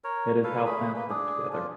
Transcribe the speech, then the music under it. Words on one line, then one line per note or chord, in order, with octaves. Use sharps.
It is how plants work together.
A#4 C#5
A4 B4 F5
A3 G#4 B5
A#3 B4
D4 G#4
D4 F4